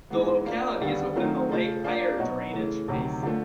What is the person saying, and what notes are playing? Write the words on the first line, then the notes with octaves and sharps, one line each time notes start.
The locality is within the Lake Eyre drainage basin.
G#2 E3 G#3 B3
F3 A#3 D4
D#2 D3 G3 B3
D#3 F#3 A3 C4 F4
C#3 F3 A3
F3 A#3 D4
B2 F#3 B3 D#4 F#4
C#3 E3 A3
D2 C3 D#3 F#3
D3 F3 A3